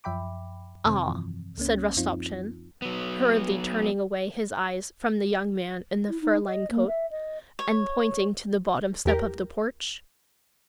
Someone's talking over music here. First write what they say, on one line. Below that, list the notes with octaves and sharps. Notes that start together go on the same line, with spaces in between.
"Ah!" said Rostopchin, hurriedly turning away his eyes from the young man in the fur-lined coat and pointing to the bottom step of the porch.
F#2 F3 E5 G5 B5 D6
F2 C3 D#3 C4
G2 E3 F3
C#2 A#3 C#4
F#2 F3 C4 D#4 F4
F#3 B3
E4
D#4
D#5
A#3
E5
D#5
C#5
E2 G4 A#4